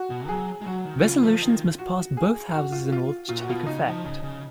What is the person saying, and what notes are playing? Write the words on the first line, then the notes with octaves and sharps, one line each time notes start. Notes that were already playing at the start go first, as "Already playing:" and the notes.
Resolutions must pass both houses in order to take effect.
Already playing: F#4
B2
F#3 G#4
G#3
F#3 F#4
D#3
C#3 F4
F3
D#3
F#4
G#4
F#4
F4
F4
A#2 F4
F#4
B2 F4
C#3 D#4
F3
C#3
C#3